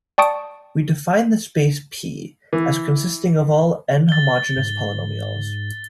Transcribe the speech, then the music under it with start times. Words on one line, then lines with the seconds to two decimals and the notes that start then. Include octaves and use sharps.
We define the space "P" as consisting of all "n"-homogeneous polynomials.
0.18 D5 G5 A5 C#6 D#6 D7
2.53 E3
4.09 A6 G7
4.57 G#2